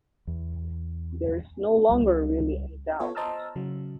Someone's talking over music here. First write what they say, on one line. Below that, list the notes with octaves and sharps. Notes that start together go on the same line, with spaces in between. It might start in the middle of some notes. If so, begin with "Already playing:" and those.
There is no longer really any doubt.
E2
C#2 G3
B3 F4 A4 C#5
C5 D#5 A5 A#5 E6 F6
C#3 F#3